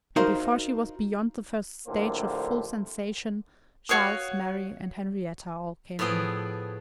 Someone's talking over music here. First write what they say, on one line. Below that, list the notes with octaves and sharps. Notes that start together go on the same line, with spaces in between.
And before she was beyond the first stage of full sensation, Charles, Mary, and Henrietta all came in.
D#4 F#4 A#4 C5 D#5 F5
A#1 A2 D3 A#3 G4 C5
F#4 C#5 F5 D#6
A2 F3 B3 G#4 G5